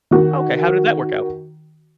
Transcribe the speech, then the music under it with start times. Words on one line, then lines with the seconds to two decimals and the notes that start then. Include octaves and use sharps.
Okay, how did that work out?
0.11 D#3 F#4